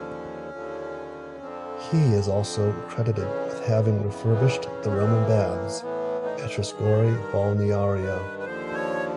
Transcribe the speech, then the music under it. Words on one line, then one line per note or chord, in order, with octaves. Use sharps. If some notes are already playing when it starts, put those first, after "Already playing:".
He is also credited with having refurbished the Roman baths at Trescore Balneario.
Already playing: D#2 D3 F3 C#4
D#2 D3 F3
F2 D3 F3 C4
F2 D3 F3
F2 C#3 E3 C#4
B3
F2 C#3 E3 B3
B3
C#4
A2 E3 C4
A#3
A#3
A2 E3 B3
D#4
E4
D#4
G2 D#3 G#4
C#5
C5
B4
A#4
G2 D#3 A#4
B4
B4
D#2 D3 F3 C5
C#5